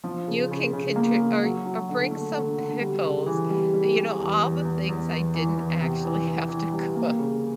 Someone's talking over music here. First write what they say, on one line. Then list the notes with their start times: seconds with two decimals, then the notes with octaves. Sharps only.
"You can contri or or, bring some pickles,” you know, all the things I didn't actually have to cook.
0.04 F3
0.27 C#3
0.51 C#3
0.73 C#3
0.96 A#3
1.19 C#3
1.42 F#3
1.65 F#3
1.89 D3
2.11 A3
2.35 D3
2.58 D3
2.80 G3
3.04 C#3
3.26 E3
3.50 G3
3.74 G3
3.96 G3
4.19 E2
4.41 E2
4.65 E2
4.89 E2
5.11 E2
5.34 E3
5.58 E2
5.80 C3
6.04 E3
6.26 E3
6.49 E3
6.73 G3
6.95 A#3
7.19 C#3